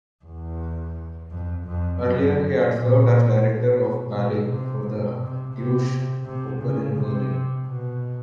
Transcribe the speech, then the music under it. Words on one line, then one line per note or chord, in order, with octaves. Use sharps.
Earlier he had served as director of ballet for the Deutsche Oper in Berlin.
E2
F2
F2
F#2
A#2
B2
B2
C3
B2
C3
C3
C3
C#3
C3
B2